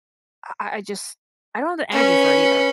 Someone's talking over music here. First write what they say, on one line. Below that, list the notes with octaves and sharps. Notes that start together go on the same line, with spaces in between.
I I I just I don't have the energy for it either,
C#4 B4